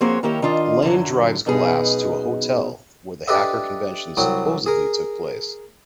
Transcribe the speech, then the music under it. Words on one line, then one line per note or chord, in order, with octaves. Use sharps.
Lane drives Glass to a hotel where the hacker convention supposedly took place.
F3 A#3 C4 F#4 G#4 C#5
D#3 A#3 E4 G4 C#5
D#3 D4 F4 D#5
F#2 D3 F#3
F#2 B2 B3 D#4 G#4
D4 G4 A4 B4 D#5 E5
C2 F#3 G5 D#6
G#4 A#4